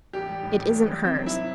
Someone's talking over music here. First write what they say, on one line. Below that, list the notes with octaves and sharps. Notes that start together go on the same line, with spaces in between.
It isn't hers!
A1 G4
G3
A2
A1
A1
G3
B1 C4
F#3
E4
B2